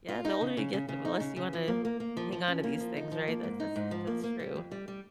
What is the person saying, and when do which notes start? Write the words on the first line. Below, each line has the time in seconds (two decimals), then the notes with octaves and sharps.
Yeah, the older you get, the w less you wanna hang on to these things, right? That that's s that's true.
0.08 F4
0.25 D#4
0.41 C#3
0.57 C#3
0.73 C#3
0.89 C#3
1.05 D#4
1.20 C#3
1.36 C#3
1.53 F3
1.68 A#3
1.85 A#3
2.00 A#3
2.17 F3
2.32 F3
2.48 C#4
2.64 A#3
2.80 F3
2.97 D#4
3.12 F3
3.28 A#3
3.44 G#2
3.60 D#4
3.76 G#2
3.91 F3
4.07 A#3
4.23 A#3
4.39 G3
4.56 F2
4.71 G3
4.88 G3